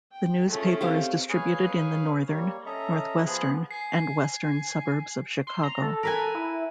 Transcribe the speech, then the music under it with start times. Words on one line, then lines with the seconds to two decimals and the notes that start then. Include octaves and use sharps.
The newspaper is distributed in the northern, northwestern and western suburbs of Chicago.
0.12 G5
0.48 A3 C#4 F4 G#4
0.81 C4 G4 C5 F5
1.29 G#4 B4 C#5 F5 G#5
2.27 G3 A#3 C#5
2.66 C#4 A4 D#5 E5 A#5
3.26 F3 B3 G#4 F#6
3.71 G#5 C7
5.47 C6
5.63 A#5
5.82 A4
6.03 A#4 B4 G#5
6.35 E4